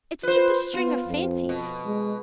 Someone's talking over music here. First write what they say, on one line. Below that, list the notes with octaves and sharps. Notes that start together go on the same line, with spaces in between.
It's just a string of fancies.
F4 B4 C5
B3 F4
F2
B2
G#3